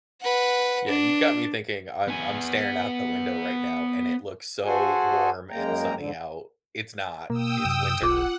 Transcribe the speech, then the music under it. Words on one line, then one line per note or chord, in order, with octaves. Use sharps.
Yeah, you've got me thinking I'm I'm staring out the window, right now, and it looks so warm, and sunny out. It's not. It's winter,
B4 F#5
D4
B3 G#5
F#4 G#4 A4 C5 F#5 G#5
F#2 G#3 A#3 G5 A#5
G#2 D3
B2 A#3 G5 D#6 E6
F#2 C3
D#1 B1 F4 F#5 D6